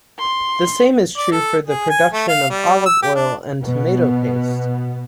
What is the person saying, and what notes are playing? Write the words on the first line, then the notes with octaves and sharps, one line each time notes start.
The same is true for the production of olive oil and tomato paste.
C6
D5
A4
G#4
G#5
A3
F5
G3
E6
G4
D4
B2 B3